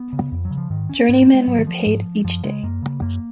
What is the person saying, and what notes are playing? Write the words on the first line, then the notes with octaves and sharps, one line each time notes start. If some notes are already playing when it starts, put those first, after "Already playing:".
Journeymen were paid each day.
Already playing: B3
C#3
F2
F#3
C#3
F3
G#2 D#3
C#4
G#2 B3
A#3
G#3
G#2 F#3
D#3
F3
G#2
F#2 F3
C#3 G#3
F#2 A#3
C#3
F#2 A#3